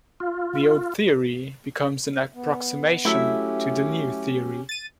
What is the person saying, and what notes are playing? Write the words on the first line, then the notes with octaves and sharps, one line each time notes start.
The old theory becomes an approximation to the new theory.
F4
B3
F#3 A3 C#4 E4 G4 E5
A6 D#7